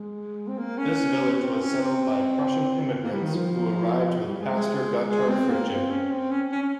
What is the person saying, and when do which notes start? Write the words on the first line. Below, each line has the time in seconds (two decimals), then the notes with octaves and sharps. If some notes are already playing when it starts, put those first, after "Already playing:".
This village was settled by Prussian immigrants who arrived with Pastor Gotthard Fritzsche.
Already playing: G#3
0.48 C4
0.58 A#3
0.77 C#4
1.39 C4
1.60 C#4
1.80 C4
3.03 A#3
3.13 G3
3.23 D#3
3.34 F3
4.26 G3
4.40 G#3
4.53 G#3
5.08 G#3
5.29 C4
5.49 A#3
5.70 C4
5.90 C#4
6.11 C4
6.31 C#4
6.52 C#4
6.62 C#4